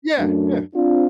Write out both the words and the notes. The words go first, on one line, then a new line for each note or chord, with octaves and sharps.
Yeah, yeah.
F#2 F#3 A3 D4
C4 D4 F4